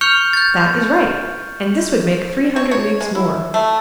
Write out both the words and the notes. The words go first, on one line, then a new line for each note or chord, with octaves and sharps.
"That is right; and this would make three hundred leagues more."
C#6 F6 G6 C#7 F7
G6 A6
C#5
C#5
G#3
E4
A3